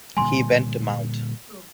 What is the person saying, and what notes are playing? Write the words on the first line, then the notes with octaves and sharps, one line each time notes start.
He went to Mt.
A#2 D3 G3 G#5 C6